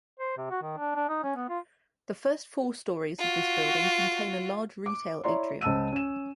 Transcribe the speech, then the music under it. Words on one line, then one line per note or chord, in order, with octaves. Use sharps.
The first four stories of this building contain a large retail atrium.
C5
C3
F#4
D#3
D4
D4
D#4
C#4
B3
F4
F4 F#4
D6
E4 C#5 D5 A#5 C6
C#2 C5 A5 E6 D#7
C#4 E7